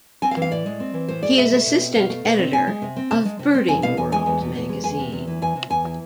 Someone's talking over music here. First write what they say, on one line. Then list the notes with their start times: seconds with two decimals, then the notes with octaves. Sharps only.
He is assistant editor of "Birding World" magazine.
0.22 C4 G#5
0.31 F5
0.37 E3
0.42 F5
0.51 A2 D5
0.66 G#3
0.80 C4
0.94 E3
1.08 A2 C5
1.23 G#3 D5
1.38 B2 E5
1.52 A3
1.66 B2
1.80 C4
1.95 B2 F5
2.09 A3
2.25 B2
2.39 C4
2.53 C3 G#5
2.67 G#3
2.82 C3
2.96 C4
3.11 C3 A5
3.25 G#3
3.39 C3
3.54 C4
3.68 E2 G#5
3.82 B2 F5
3.97 E2 G#5
4.12 G#3 G#5
4.26 E2
4.41 B2
4.55 E2
4.69 G#3
4.84 E2 G#5
4.99 C3
5.12 E2
5.27 E3
5.42 E2 G#5
5.56 C3
5.70 E2 G#5
5.84 E3